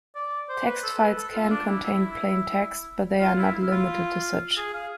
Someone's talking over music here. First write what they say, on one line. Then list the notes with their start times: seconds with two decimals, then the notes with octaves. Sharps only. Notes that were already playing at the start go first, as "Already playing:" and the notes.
Text files can contain plain text, but they are not limited to such.
0.15 D5
0.49 C5
0.66 B4
0.83 A4
1.00 B4
1.17 A4
1.34 F4
1.51 D4
1.68 E4
1.85 E4
3.21 F4
3.38 E4
3.54 E4
3.71 F4
4.57 G#4
4.73 F5